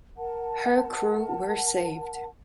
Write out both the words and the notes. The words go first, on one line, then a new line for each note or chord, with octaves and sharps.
Her crew were saved.
A#4 F#5 A5